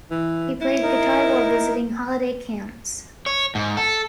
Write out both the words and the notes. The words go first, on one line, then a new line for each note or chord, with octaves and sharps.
He played guitar while visiting holiday camps.
E3
E4
D#4 A#4
C#5
G#2
A4